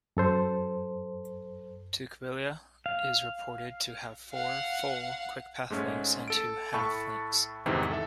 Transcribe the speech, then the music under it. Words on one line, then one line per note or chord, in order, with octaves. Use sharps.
Tukwila is reported to have four "full" QuickPath links and two "half" links.
F#2 A4 C5
F5
F5 F#5
G#2 G#3 A3 C#4
A4 D7
A2 A4 A5 B5 C#6
E2 G#2 C3 D#3 E3
A4 E5